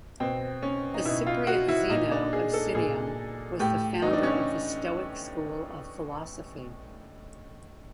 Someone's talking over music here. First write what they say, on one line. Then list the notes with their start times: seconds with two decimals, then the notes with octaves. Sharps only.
The Cypriot Zeno of Citium was the founder of the Stoic School of Philosophy.
0.20 B2 C4
0.62 C#4
0.94 D#4
1.05 B2 E4
1.26 F4
1.47 F#4
1.68 E4
1.90 A#2 D#4
2.11 D4
2.33 G#4
2.53 A4
2.75 A#2 G#4
3.59 A2 G4
4.02 E3 D#4
4.13 D4
4.23 C#4